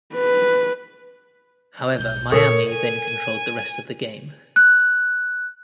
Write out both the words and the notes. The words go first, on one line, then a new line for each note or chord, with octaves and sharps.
However, Miami then controlled the rest of the game.
B4
B1 G6
A#2 A4 A#4 C#5
B2 G#5
F#6